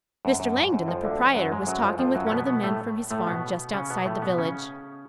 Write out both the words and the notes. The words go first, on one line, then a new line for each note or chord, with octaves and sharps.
Mr. Langdon, the proprietor, was talking with one of the men from his farm just outside the village.
F#2
F#2
G#2
F#2
F2 F3
D2 D3
F#2 F#3
G#2 G#3
F#2 F#3
F2 F3
F2 F3
F#2 F#3
C#4
B2 B3
B2 B3
A2 A3
A2 A3
B2 B3
C#3 C#4
B2 B3
A2 A3
B2 B3
C#3 C#4